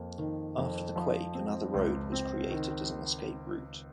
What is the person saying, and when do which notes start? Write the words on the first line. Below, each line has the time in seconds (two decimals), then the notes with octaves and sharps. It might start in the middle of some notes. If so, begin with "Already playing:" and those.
After the quake another road was created as an escape route.
Already playing: F2 A#3
0.18 D#3
0.58 F2
0.96 F3
1.34 C4
1.74 C#2
2.12 C4
2.51 D#3